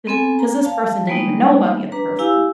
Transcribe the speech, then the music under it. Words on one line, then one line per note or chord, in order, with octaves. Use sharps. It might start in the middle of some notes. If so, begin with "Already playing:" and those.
'cause 'cause this person didn't even know about the other person.
B3 C4 A4 G#5
A#5
F5 A5
G3 G#3 A#3 B3 D#4
D4 B4 A#5
E4 G4 F5 G#5 E6